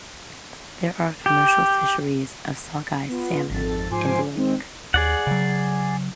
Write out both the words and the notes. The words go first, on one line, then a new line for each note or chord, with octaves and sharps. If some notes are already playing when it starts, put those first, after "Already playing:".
There are commercial fisheries of sockeye salmon in the lake.
G4
B3 F4
G#1 F2 A4 A6
G#2 F3 C5 G#5 D6 C7
D#3 G#3 C4
D#2 G#4 D5 F#5
C#3 F#3